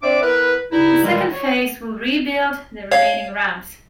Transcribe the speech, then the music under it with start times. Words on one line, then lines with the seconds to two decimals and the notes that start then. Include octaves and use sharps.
The second phase will rebuild the remaining ramps.
0.02 C4 D4 D5 E5 D6
0.22 B3 E4 A#4 B4
0.71 G2 C#3 D#4 E4
1.03 A#2 D#3 E3 G3 G#3
1.31 C#5
2.91 C#5 F5